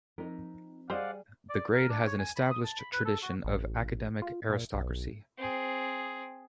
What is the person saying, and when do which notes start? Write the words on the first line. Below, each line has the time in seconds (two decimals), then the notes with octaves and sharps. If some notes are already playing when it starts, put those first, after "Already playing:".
The grade has an established tradition of academic aristocracy.
0.18 F3 C4 D#4 A#4
0.90 G3 G4 G#4 C5 D5 D#5 F5 F#5
1.49 D5
1.74 A#4
1.89 D4
2.06 C#5
2.19 G#5
2.36 B5
2.50 D#6
2.64 A5
2.79 B5
2.93 B4
3.05 A4
3.22 F#4
3.44 A1
4.22 F4
4.50 A#2
4.74 B1
5.38 C4 G#4